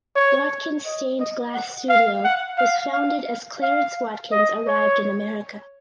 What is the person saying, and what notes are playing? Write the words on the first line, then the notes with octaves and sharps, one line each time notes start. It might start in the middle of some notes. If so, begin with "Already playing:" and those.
Watkins Stained Glass Studio was founded as Clarence Watkins arrived in America.
C#5
D#5
D#5
F#5
F5
F#5
F5
F5
F5
D#5
C#5